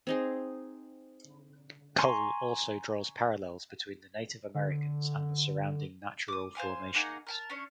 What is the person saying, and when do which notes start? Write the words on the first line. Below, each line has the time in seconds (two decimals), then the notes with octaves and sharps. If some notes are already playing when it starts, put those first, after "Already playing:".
Cole also draws parallels between the Native Americans and the surrounding natural formations.
0.07 C4 D#4 G#4
1.99 G#5 A#5 C6 C#6
4.55 D3
6.28 D6 D#6
6.55 C5 F5 G#5 C6
6.94 A#3 D#4 G#4 F#5
7.27 A#4 G5 A5
7.50 C#4 D4 C#5